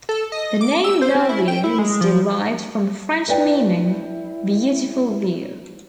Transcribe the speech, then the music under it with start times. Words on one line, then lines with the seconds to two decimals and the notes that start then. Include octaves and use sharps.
The name Belview is derived from French meaning "beautiful view".
0.09 A4
0.32 D#5
0.61 D6
0.84 E6
1.02 C5
1.15 C4
1.29 E4
1.48 G5
1.64 E4
1.79 G#3
2.01 F3
3.28 E4 B4 D5 G5